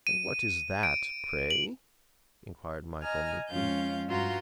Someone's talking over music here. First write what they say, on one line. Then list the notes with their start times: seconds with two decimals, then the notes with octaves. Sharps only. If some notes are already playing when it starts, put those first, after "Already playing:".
"And what is that, pray?" inquired Michael, meekly.
0.07 D#7
0.83 D7
1.51 F#7
3.02 D#5 G#5 A#5 F6
3.50 F2 G#3 C#4 F4 F5 G6
4.08 G2 F4 F#4 A#5 C6 G6